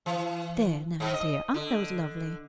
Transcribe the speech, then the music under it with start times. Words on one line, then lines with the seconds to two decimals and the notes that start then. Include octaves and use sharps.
There, Nannie dear, aren't those lovely?
0.06 E3
1.00 G#2
1.14 D#5
1.54 D3